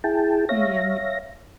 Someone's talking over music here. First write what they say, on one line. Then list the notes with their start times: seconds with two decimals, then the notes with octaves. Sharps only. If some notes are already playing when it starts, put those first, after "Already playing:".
Yeah, me
0.04 E4 G#4 G5 A5
0.49 C#5 E5 F5 A#6